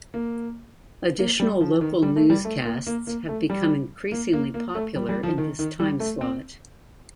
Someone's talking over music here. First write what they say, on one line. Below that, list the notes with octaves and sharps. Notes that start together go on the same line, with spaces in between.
Additional local newscasts have become increasingly popular in this time slot.
A#3
A#3
G3
F3
D#3
G3
A3
G3
A3
A#3
A#3
A#3
A3
G3
A#3
A#3
A#3
A3
G3
G3
F3
D#3
D#3
G3
A3
C4